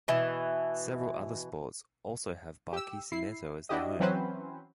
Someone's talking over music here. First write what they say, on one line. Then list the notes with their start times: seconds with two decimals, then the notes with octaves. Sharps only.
Several other sports also have Barquisimeto as their home.
0.08 B2 E3
2.73 G4 E6
3.12 E4 C7
3.69 D4 E4 F#4 G4 D#5
4.00 E3 F#3 C4 C#4 B4 C5